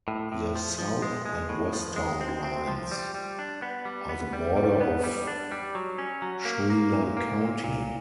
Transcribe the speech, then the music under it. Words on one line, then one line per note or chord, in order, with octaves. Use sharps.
The south and west town lines are the border of Schuyler County.
A2
A2
F3
F3
G#3
G#3
A2
F3
G#3
C4
C4
F3
G3
G3
D4
B3
G3
B3
G3
G3
B3
G3
D4
G3
F#3
C#4
F#3
A#3
A#3
A#2
A#3
A#2
A#2